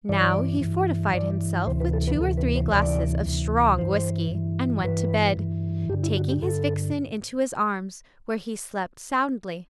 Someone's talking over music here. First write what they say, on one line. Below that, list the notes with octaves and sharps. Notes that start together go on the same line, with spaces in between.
Now he fortified himself with two or three glasses of strong whisky and went to bed, taking his vixen into his arms, where he slept soundly.
G2 E3 D5
G2 E3
G2 E3 D5
D2 C3 E3 C5
B4
A4
B4
D2 C3 E3 A4
B4
C5
D2 C3 E3 D5
D2 C3 E3
G2 E3 C5
G2 E3
G2 E3 B4
G2 E3
G2 D3 G4
E4
F#4
G4
G2 D3 A4